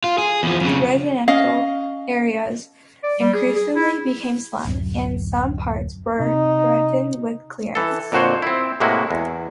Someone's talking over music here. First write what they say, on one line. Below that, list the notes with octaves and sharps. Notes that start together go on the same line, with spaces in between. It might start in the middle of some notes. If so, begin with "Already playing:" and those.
The residential areas increasingly became slums, and some parts were threatened with clearance.
F4
G#4
E2 F3
F2 C#3
C#4 D#5 F5
D5
G3
G#4
G#4
E4
D1 F#2
C3 D#4
E3 A4
F2 A#2 D3 F#4 C5 C#5
C4 E4
A2 C3 G#3 A#3 E4 F#4
E2